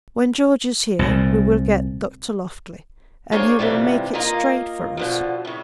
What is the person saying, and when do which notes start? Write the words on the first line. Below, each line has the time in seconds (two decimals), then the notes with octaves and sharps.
When George is here we will get Dr. Loftly, and he will make it straight for us.
0.99 C2 A#2
3.32 A#3 D4 G#4 C5 C#5 G5
3.59 G#2 C3 E3 F3 G3
4.13 A#3 F4 A#4 D#5
4.97 B2 D3 F3
5.45 A2 C#3